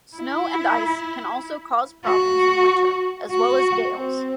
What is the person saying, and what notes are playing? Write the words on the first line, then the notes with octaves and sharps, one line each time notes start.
Snow and ice can also cause problems in winter, as well as gales.
E4
F#4
F#4
C4